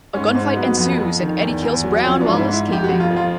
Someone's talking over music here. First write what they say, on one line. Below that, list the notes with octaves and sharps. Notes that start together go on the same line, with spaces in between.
A gunfight ensues, and Eddie kills Brown while escaping.
G#2 C#4
G#2 C4
F#3 B3
F2
F2
D#3
E2
E2
F#3
F3 C#4
D4
G#2
E4
G#2 E4
F2 G4
F#4
F2
F4
F3
F4